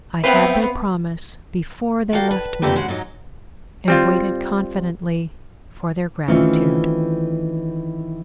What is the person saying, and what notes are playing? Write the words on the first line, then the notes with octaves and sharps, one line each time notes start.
I had their promise before they left me, and waited confidently for their gratitude.
B3 C4 B4 E5 F5 G5
F#4 A4 A#4 D5 F5 G5
B4
F2 D3 A3 A#3 G4 B4
C#3 G#3 F#4 F#5
G#2 F#3 D#4
G3 C4 F4
D#3 E3 A3 C4 C#4 F4